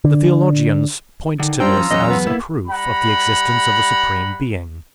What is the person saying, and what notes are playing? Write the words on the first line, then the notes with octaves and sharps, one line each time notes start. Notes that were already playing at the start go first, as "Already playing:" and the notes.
The theologians point to this as a proof of the existence of a supreme being.
D3
D3 D#3
G3 C#4 D4 F4 C5 G5 A#5 E6
F3 C#4
E2 F#3 C#4 C5 C#5 D#5
B3
A#3 E4
G3 F#5 A#5 B5